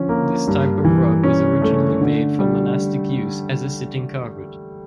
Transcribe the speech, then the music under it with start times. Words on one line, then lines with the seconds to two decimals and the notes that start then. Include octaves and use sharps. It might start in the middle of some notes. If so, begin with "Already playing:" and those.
This type of rug was originally made for monastic use as a sitting carpet.
Already playing: D3 F3 C#4
0.09 A#3
0.47 G2
0.85 E3
1.24 C#4
1.62 A3
2.01 D3
2.39 G3